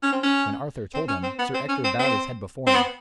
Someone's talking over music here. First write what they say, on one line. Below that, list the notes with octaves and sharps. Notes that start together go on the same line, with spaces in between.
When Arthur told him, Sir Ector bowed his head before him.
C#4
C4
C#4
C4
C#4
C4
B3
C4
C#4
C4
C4
C4
B3